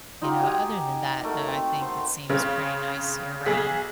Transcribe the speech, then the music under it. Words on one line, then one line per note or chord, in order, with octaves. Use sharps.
you know, other than that though, I think it seems pretty nice year-round.
D#4 F4 G4 F#5
F#4 G4 D#5 G#5
A3 A#4 F#5
C4
C5
C#3 C4 C#4
B1 G#4 B6